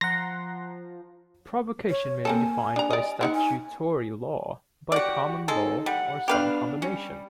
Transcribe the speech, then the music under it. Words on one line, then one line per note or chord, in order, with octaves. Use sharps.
Provocation may be defined by statutory law, by common law, or some combination.
F3 F#5 A#5 C6 A#6
C#5
A#3 C4 A4 G#5
D4 A#5
D5 D#5
C4 D#4 F#5
G#5
F#4 G4 D5 F#5
G#3 D#4 A4
G3 F#5
B3 D4 G4 B4 F5
G3 C#4